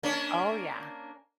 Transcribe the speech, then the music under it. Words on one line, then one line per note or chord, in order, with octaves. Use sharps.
Oh, yeah.
A#3 C#4 D4